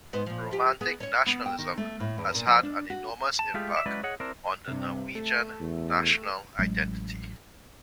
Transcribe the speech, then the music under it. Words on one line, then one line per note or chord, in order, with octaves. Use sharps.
Romantic nationalism has had an enormous impact on the Norwegian national identity.
G#2 B3 C5
A#2 F3
F3 G4
B3 G#4
C#4 C#5
B3
G5
D#3
A3
A2
E2
A#2
F3
D4
F#4
A5
G#3 A3 F4 G4 G#4
D5 E5
F#3 G#3 C#4 E4 B4 D5
G#4 C#5 D#5 F#5
C4 D4 E4 A#4 D5
G2 C3
A3
E2
A1 F#3 G#3